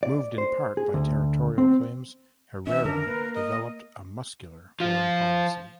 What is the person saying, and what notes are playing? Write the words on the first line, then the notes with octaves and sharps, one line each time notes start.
Moved in part by territorial claims, Herrera developed a muscular foreign policy.
D5
C5
G#4
D2
C4
E3 C#4 E5
D3 D#3 D4 A#4
A#3 B4
A#4 D#5
F3 F4